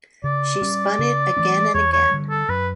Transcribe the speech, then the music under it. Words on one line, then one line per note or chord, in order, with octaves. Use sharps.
She spun it again and again.
C#3 D5
G3 C#4
C#3
E3 A3 C#4
E2 C#5
C#5
D3 G3
A4
F#2 B4